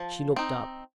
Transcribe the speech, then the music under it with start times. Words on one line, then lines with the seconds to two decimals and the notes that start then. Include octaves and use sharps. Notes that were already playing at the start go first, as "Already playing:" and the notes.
She looked up.
Already playing: F3 A5
0.36 C4 D#4